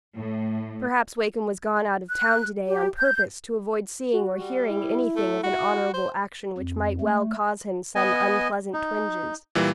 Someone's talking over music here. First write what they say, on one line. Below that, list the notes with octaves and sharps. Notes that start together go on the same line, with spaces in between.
Perhaps Wakem was gone out of town to-day on purpose to avoid seeing or hearing anything of an honorable action which might well cause him some unpleasant twinges.
A2
F#6
G4
G6
F#4
G3
E4
A3
F#4
C5
F2
A3
B3 D#5 G#5
D#4
A#2 E3 G3